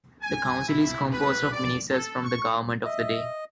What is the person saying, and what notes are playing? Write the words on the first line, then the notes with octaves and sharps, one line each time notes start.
The Council is composed of ministers from the government of the day.
G#5
E4
B4
D5
A4
C#6
D#5 E5